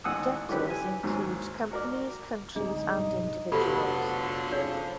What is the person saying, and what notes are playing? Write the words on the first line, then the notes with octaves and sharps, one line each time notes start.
Debtors include companies, countries, and individuals.
A1 D#2 F#5 G#5 D#6 E6
D3 E3 F#3 C#4 G4 B4
G#5
D#2 G#2 F#3
F#4 A#4 D5
D1 G#3 D4 D#4 G#4
B1 G2
F1 D3 F3 F#3 B3 G4 A4 B5
C#3 D#4 C#5